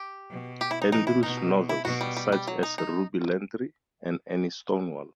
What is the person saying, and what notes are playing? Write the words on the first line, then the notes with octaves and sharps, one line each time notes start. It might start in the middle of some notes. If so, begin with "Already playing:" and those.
Andrews novels, such as Ruby Landry and Annie Stonewall.
Already playing: G4
B2
G4
E4
D#4
E3 D#4
E4
B2 D#4
E4
B2 F#4
G3
G3
G3
F#3
D#4
D#4